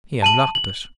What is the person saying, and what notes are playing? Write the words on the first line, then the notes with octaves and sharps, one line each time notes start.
He unlocked it.
A5 D#7 F#7
F#7